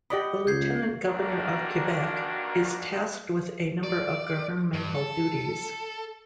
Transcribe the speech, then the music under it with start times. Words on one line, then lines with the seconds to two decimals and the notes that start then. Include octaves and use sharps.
The Lieutenant Governor of Quebec is tasked with a number of governmental duties.
0.10 G4 D5 D#5 F#5 B5
0.47 C#2 G6 G#6 C7
1.06 G#1 G2 A#3 D4 F#4 A#4
3.84 D5
4.74 G2
4.95 A4